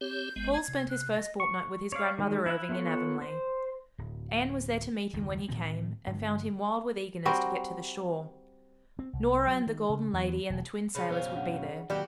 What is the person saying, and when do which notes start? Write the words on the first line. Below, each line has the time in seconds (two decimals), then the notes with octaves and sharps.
Paul spent his first fortnight with his grandmother Irving in Avonlea. Anne was there to meet him when he came, and found him wild with eagerness to get to the shore--Nora and the Golden Lady and the Twin Sailors would be there.
0.01 C4 G4 C#5 G6
0.36 G#1 G#3 B3
0.53 G#6
0.68 C3
0.89 F#6
1.11 D#5
1.40 C#6
1.92 C#5 D5 F5
2.18 D#3 G#3
2.46 E4 E5 F#6
2.69 B3 F4 A4 C#5 F#5
3.22 C5
3.98 D1
5.13 F#1 D#2 D#3
5.48 D2 A2 D#3 C4
6.07 G2 D3 G#3
7.25 G3 C4 F#4 A#4
8.99 C4
9.13 C2
9.47 F#3
9.67 D#3
9.90 C#3
10.13 E2
10.50 E1
10.95 C#3 C#4 B5
11.09 F#2 B2 C5 F5
11.35 D4 F#5
11.90 D#3 F#3 G3 A#3 F#4 G4